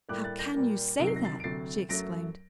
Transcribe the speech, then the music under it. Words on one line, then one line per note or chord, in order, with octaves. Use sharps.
"How can you say that?" she exclaimed.
A2 G3 A#3 D6 F#6
F#6 A6
G6 A#6
A#2 G3 A#3
C2 C3 D#3 F#3 D7
C7
A#6
A6 C7
D7
D2 C3 F#3 A6 C7
F#2 F#3 A3 A#6 D7